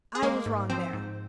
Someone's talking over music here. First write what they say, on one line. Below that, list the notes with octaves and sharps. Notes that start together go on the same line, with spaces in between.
I was wrong there.
G#4
G#3 A#3 A#4
G#2
F3 C4 C5
G#2